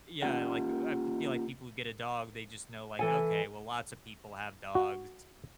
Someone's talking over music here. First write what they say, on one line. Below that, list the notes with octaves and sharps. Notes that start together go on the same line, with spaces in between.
Yeah, like, I feel like people who get a dog, they just know like, "Okay, well lots of people have dogs
A#3 C#4 F4 G4 F#5
E3 A4 G#5
F#4